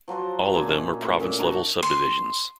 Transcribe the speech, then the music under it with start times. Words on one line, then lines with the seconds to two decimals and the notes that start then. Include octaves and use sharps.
All of them are province-level subdivisions.
0.08 F3 F#3 F#4 C5
0.53 A#2 C4 G#4 C6
0.67 C#4 D#4 E5
1.01 A2 E5
1.20 A#2 C#4
1.39 D4 D#4 F#4 C#5
1.83 C6